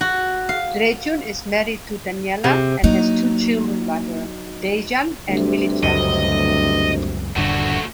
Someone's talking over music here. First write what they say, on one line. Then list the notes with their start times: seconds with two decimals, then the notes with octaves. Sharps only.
Drecun is married to Danijela and has two children by her, Dejan and Milica.
0.01 F#4
0.49 F5
2.44 C3
2.84 F#3 A#3 D#4
5.28 D2 G2 C3
5.83 C#2 F#2 D#5
7.36 D#1 G2 D3 A3 F#4